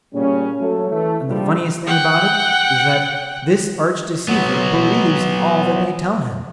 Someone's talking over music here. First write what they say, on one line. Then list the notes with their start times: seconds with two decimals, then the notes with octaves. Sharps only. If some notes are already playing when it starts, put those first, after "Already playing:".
And the funniest thing about it is that this arch-deceiver believes all that they tell him.
0.14 A#2 C#3 G3 C#4
0.60 F#3 A3
0.90 E3 A3
1.27 A#1 F3 G3
1.86 F#5 G5
4.28 F#3 B3